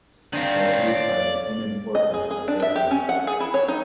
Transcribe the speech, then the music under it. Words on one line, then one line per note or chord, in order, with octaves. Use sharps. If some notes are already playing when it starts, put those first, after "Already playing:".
They are produced by a human forecaster based on the ground.
D#3 C4 D4 F5
C#5
D5
D#5
G#4
G#4
D4
E5
G4
C#4
F#5
G#4
E4
C#5
D#4